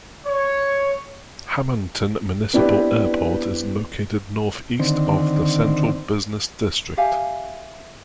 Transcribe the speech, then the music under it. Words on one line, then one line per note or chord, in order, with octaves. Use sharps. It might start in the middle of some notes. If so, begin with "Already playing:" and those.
Hammonton Municipal Airport is located northeast of the central business district.
C#5
B3 C4 D4 E4 G4 B4
D3 D#3 C4
G4 E5 F5 G#5